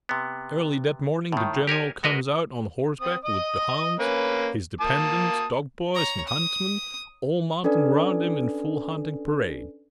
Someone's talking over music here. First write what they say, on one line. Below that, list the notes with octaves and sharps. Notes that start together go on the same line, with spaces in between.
Early that morning the general comes out on horseback, with the hounds, his dependents, dog-boys, and huntsmen, all mounted around him in full hunting parade.
C3 B3
A2 D#3
G4 A#4 C#5 G#5
G#3 F#4 A#4 B4 D#5
C4 D#6
D#5 D#6
A#3 C#4 B4
A#3 A5 D#6
C#5 A#5
D#6
C#4 D4 A4 B4 D5 G#5